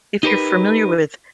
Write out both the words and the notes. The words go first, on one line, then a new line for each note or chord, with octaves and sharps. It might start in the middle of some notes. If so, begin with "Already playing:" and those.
If you're familiar with
D#4 G4 A#4 B4